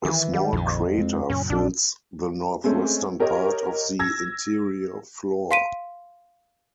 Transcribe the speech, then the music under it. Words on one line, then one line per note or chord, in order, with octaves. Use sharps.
A small crater fills the northwestern part of the interior floor.
D#3 E3
G3
A#1 F2 D#3
G#3 C4
F#2 A#2 C#3 C#4
A#1 D4
G#3 A3 C4 C#4
G4 A#4 C#5 D#5
E6 G#6 A#6
F5 C6 B6 D7 D#7